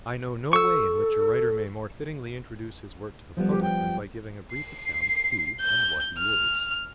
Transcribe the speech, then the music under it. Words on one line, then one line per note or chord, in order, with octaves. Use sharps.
I know no way in which a writer may more fittingly introduce his work to the public than by giving a brief account of who and what he is.
A4 C#6 E6
F3 G3 B3
G4
G5
C7
G6
F6